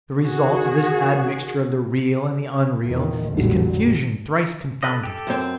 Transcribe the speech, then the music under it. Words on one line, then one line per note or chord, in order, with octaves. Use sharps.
The result of this admixture of the real and the unreal is confusion thrice confounded.
D#3 F#4 G#4
E2 A#2 D#3
A#1 F2 A2 D3 F#3 G3
A4 B4 D#5
G4 A4
F#2 C4